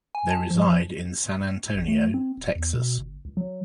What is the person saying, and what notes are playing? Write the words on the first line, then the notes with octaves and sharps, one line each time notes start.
They reside in San Antonio, Texas.
G#5
A5
F3
F3
G#1
A3
C4
D1
E2
B2
G1
C#2
F#3